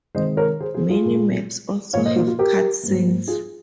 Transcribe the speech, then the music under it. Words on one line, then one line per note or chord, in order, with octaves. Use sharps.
Many maps also have cut scenes.
C3 D#3 G#3 C5 D#5
A#4 C#5
G#4 C5
G#4 C5
F4 G#4
A#2 G#3
A#2 F3 A#3 C#5 F5
C5 D#5
F4
F4
G4 A#4
G#2 G3 A#3
F4 G#4